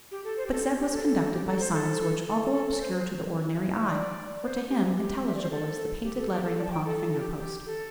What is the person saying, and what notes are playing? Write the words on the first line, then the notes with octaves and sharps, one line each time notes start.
But Zeb was conducted by signs which, although obscure to the ordinary eye, were to him intelligible as the painted lettering upon a finger-post.
G4
A4
C5
G4
A4
G4
A4
A4
A4
G4
A4
C5
A4
A4
A4
A4
C5
C5
D5
C5
G4
G4
E5
D5
C5
A4
G4
A4
G4
A4
D5
A5
G5
A4
A4
A4
G4
G4
A4